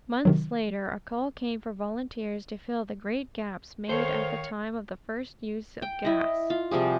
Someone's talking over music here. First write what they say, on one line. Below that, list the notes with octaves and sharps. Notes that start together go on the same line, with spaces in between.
Months later a call came for volunteers, to fill the great gaps made at the time of the first use of gas.
C3 D#3 F#3
D#3 A4 C5 C#5 F5
G5
E4 D#5
F4
C3 F3 G3 G#4